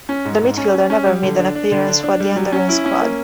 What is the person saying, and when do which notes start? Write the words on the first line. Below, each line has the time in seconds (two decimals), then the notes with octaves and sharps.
The midfielder never made an appearance for the Andorran squad.
0.09 C#4
0.25 G#2
0.42 G#2
0.58 C#4
0.74 C#4
0.90 C#4
1.07 G3
1.23 D3
1.39 D4
1.55 D4
1.72 D3
1.88 D4
2.04 D4
2.20 G3
2.36 F#3
2.52 C#4
2.69 E4
2.86 C#4
3.01 A#3